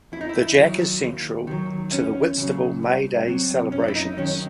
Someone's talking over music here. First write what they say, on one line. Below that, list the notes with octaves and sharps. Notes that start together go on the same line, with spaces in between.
The Jack is central to the Whitstable May Day celebrations.
E2 E4
D#4
E4
D#3 F#3
D#2
D#3 F#3
E2 C#4
C#3 F#3
C2
C3 F#3
F#2 C#4
E4
D#4
D#3 F#3 C#4